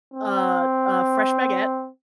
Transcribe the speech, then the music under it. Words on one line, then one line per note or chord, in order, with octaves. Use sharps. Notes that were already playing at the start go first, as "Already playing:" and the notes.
a a fresh baguette,
C4